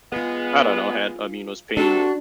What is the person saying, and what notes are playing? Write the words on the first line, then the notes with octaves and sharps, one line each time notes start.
I don't know, had, I mean, I was paying
G#3 B3 F4 G#4
C3 D4 F#4 A4